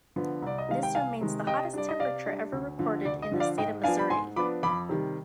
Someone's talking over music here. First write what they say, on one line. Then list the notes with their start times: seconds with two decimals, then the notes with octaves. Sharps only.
This remains the hottest temperature ever recorded in the state of Missouri.
0.16 D3 F3 B3
0.42 C2 D5
0.58 D#5
0.68 C3 D#3 G#3 F5
0.83 G5
0.95 C2 F5 G#5
1.21 C3 D#3 G#3
1.47 C3 D#5 G5
1.74 G3 D4 D5
1.89 D#5
2.00 C3 D5 F5
2.26 G3 D4
2.53 D2
2.79 D3 F3
3.05 D2 D5
3.22 D#5
3.32 D3 F3
3.40 D5 F5
3.57 G#2 D#5 G5
3.84 F3 B3 D4 F5 G#5
3.99 B5
4.10 G#2 G#5 C6
4.36 F3 B3 D4 B5 D6
4.63 F2 B5 D6
4.89 C3 D#3 G3